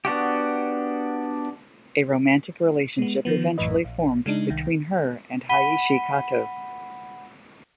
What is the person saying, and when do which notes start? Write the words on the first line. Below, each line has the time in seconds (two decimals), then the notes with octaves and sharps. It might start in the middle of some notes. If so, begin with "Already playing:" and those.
A romantic relationship eventually formed between her and Hayashi Kato.
0.05 B3 D4 F#4 G4
2.98 G#3 B3
3.25 D#3 F3 B3
3.58 A#1 F#2 A2 E3 B4 D#5
3.84 A#1
4.26 C#3 G#3 D4 D#4
4.50 C2 D#3
5.49 F#5 B5 B6 D#7 G7